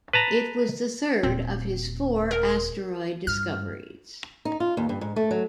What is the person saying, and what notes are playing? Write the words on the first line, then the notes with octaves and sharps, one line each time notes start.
It was the third of his four asteroid discoveries.
B4 A5 A#5
D#1 C4
A#4
G2 F6
D#4
F4
D#2
G2
G#2
A3
F#3